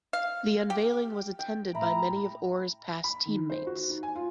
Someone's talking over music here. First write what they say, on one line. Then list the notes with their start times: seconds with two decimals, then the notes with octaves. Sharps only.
The unveiling was attended by many of Orr's past teammates.
0.13 F5
0.70 G4
1.39 G5
1.75 A2 E5 A#5 B5
3.04 B5
3.25 D#3
3.50 C5
3.67 F#4
3.90 D#4
4.03 G#5
4.16 F4